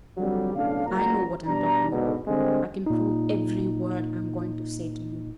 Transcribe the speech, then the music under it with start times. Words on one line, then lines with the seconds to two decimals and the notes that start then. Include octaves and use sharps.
But I know what I'm talking about--I can prove every word I'm going to say to you.
0.18 F2 D3 F#3 G3
0.55 B1 A2 C#3 D4 F5
0.87 F#1 C#2 A#2 F#3 A#5
1.47 B2 G3 D4 A#5
1.92 G#2 B2 D3
2.28 D3 G3 G#3 C4
2.86 A#2 D#4